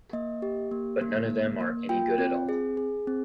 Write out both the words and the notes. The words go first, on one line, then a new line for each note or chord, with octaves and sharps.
But none of them are any good at all.
A#3 D#5
G4
A#3
A#3
A#3
A#3
F4 G5
C4
G#4
G#4
C4